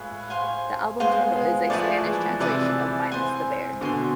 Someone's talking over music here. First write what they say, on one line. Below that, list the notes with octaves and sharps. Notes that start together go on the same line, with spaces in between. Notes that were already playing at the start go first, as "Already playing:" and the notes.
The album title is a Spanish translation of Minus the Bear.
Already playing: A2 G#3 F4 G#4 B4
C5 F5 G#5 C6
G#3 B3 C5 F5 G#5 C6
G#3 B3
F3 A3 E4 G#4 B4 D5
E3 G#3
C3 E3 E4 G#4 B4 D5
C5 G#5 C6
B2 D3 C5 G#5 C6